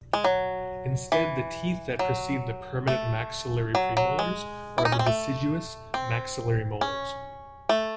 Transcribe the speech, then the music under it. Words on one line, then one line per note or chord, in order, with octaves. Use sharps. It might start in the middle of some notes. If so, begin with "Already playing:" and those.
Instead, the teeth that precede the permanent maxillary premolars are the deciduous maxillary molars.
G#3
F#3
E3
F#3
A3
F#3
F#3
G#3
E4
D#4
C#4
C4
A3
C4
C#4
A3